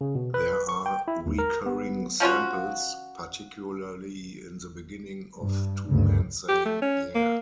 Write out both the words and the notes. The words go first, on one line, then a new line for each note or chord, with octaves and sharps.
There are recurring samples, particularly in the beginning, of two men saying yeah!
C#3
B2
B4
C#6
G5
E4
D#2
A#4
B3
F3 C#4 F4 F#4
G2
D2 G2 C#3
G4
A3
C#4
A#3